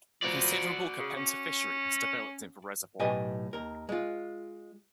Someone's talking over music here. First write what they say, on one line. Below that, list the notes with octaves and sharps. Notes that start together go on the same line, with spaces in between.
A considerable kapenta fishery has developed in the reservoir.
F3 F#4 D5
C#3
C#4
B1 A2 G4 B4 D#5 G#5
D#2 A#4
G#3 F4